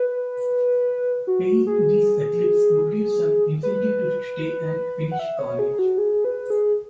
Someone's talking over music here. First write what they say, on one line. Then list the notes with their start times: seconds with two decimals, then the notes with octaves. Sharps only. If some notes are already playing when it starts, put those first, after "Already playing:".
Paying these athletes would give some incentive to stay and finish college.
Already playing: B4
1.27 F#4
1.67 G#4
3.63 B4
5.12 F#5
5.19 E5
5.39 C#5
5.59 G#4
5.79 F#4
5.98 G#4
6.24 B4
6.50 G#4